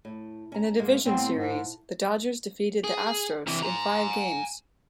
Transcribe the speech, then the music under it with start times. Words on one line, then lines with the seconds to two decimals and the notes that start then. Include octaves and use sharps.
In the Division Series, the Dodgers defeated the Astros in five games.
0.05 A2
0.52 C#4 A#5
0.79 G#2 G#3 A#3
1.06 A2 B3 C4
1.36 G#2
2.84 G#4
3.47 C3 E3
3.63 G#5 A#5